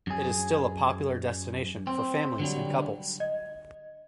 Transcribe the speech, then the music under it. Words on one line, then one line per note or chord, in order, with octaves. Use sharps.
It is still a popular destination for families and couples.
F#2 G#4
C4
D3 F#3 G3
D#5